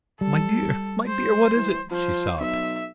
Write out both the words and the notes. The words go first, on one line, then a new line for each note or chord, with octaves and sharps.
"My dear, my dear, what is it?" she sobbed.
G3 A4
C5
E3
F3 C5
B1 E5